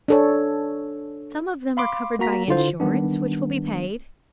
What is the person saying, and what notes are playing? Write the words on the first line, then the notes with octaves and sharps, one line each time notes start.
Some of them are covered by insurance which will be paid.
D4 A4 C#5
F5 B5 C6 D6
A#3 F#4 A#5 B6
D3 E4 F4 C5
D#3 G3 B3 D4